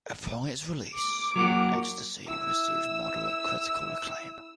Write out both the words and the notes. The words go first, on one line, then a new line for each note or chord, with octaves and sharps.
Upon its release "Ecstasy" received moderate critical acclaim.
D6
F#3 A#3 F#4
E4 E6